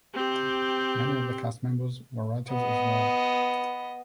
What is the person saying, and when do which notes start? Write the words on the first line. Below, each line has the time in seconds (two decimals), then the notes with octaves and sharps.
Many of the cast members were writers as well.
0.14 C4 G4
2.51 B3 D#5